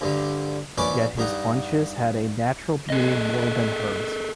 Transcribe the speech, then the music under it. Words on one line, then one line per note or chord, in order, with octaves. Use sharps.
Yet his bunches had a natural beauty more than hers.
D2 G2 D3
A#1 C#4 B4 D5 C#6 D6
G2 D#4 F#5
G#4 A4 D#5